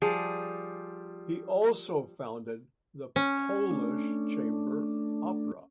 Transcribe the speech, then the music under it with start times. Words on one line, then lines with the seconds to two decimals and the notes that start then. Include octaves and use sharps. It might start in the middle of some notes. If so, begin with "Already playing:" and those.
He also founded the Polish Chamber Opera.
0.02 F3 G3 G#4
3.16 C#4
3.71 A3 D4